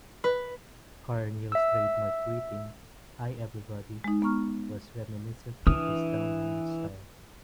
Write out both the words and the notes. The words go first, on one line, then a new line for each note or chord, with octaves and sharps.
Carneal's trademark greeting, "Hi everybody", was reminiscent of his down-home style.
B4
E5 E6
G#3 D#4
B3 A#5 C#6 F6
E3 D4 D#6 F6